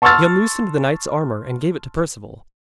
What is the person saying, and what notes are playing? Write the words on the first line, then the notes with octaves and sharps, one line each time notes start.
He unloosed the knight's armour and gave it to Perceval.
A5 C6 C#6 E6 F6 A6